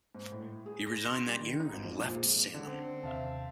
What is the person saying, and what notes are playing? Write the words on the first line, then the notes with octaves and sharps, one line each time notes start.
He resigned that year and left Salem.
G#2
A2
G#4
A#6
C6
G3
D#3
D#4
G#1
F2
A#2
G#3
D3
C4 C#4
D#2 C3 E5 F5 A5